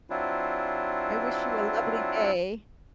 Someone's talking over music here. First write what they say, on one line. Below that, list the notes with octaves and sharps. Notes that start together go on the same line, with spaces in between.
I wish you a lovely day.
F#3 C4 D4 E4 F4